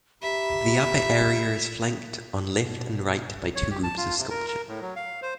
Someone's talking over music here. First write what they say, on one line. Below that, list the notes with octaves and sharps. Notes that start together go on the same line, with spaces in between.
The upper area is flanked on left and right by two groups of sculpture.
G4 E5 A#5 B5
A#1 B2
C#5
G4
A5
F4
C3
A#4
A#4
A2
F#3
F5
C5